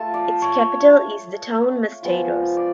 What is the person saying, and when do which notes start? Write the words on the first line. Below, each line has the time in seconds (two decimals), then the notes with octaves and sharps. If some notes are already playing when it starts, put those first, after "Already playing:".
Its capital is the town Mosteiros.
Already playing: A3 F4 A5
0.14 D5
0.42 C#5
2.03 F3 G#3 B3 F4
2.57 D5